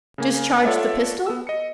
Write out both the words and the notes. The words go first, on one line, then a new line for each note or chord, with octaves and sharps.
Discharge the pistol?
C#3 A#3 G#5
F4 A4 C#5 D5 E5 F#5
B3 E6
D#5 C#7